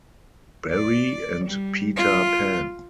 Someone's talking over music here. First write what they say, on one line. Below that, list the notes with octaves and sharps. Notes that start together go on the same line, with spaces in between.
Barrie and Peter Pan.
D5
G3
F4